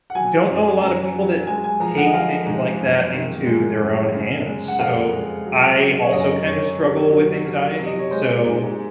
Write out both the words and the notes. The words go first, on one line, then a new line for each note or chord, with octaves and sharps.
don't know a lot of people that take things like that into their own hands. So, I also kind of struggle with anxiety. So
F#5
F#3 G#5
F#2
F#2 A#5
F#3
G#3 G#5
G#5
F3 A#5
F#5
D#5
F3 F5
G#2
F#2
D#3
G#3
F#2
C#3
G#3
F#5
F2 F5
G#3
F#3
F#3
C#5
F#2 D#5
F#2 C#5
C3
F#3
F#3
C3
D#5
C#5
G#3 C5
G#2